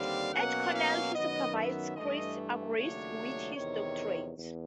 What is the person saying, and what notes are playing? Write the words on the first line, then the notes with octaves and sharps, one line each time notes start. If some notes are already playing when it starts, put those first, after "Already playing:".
At Cornell he supervised Chris Argyris with his doctorate.
Already playing: D#2 D3 G3 C4 F5
B2 F#3 A#3 C#4 F#5
F5
F#2 D#3 F#3 B3 D#5
E5
G2 E3 A3 D4 D#5
D#2 C#3 F#3 A3 D4 C#5
E2 C3 D#3 C#5
E2